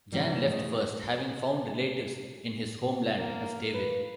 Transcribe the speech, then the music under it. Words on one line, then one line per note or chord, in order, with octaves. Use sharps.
Jan left first, having found relatives in his homeland to stay with.
A2 C3 E3 F#3 G3
A3 D#5
A#3
B4